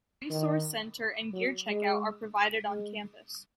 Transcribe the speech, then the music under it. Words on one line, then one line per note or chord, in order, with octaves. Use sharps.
A resource center and gear checkout are provided on campus.
D#3
F#3
G#3
G#3